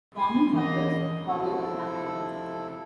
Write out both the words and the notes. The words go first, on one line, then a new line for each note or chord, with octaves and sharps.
Formal suppers follow a standard order.
G#5 C6
E3 A#3 C#4 D4 D#5
C3 F3 E4 A4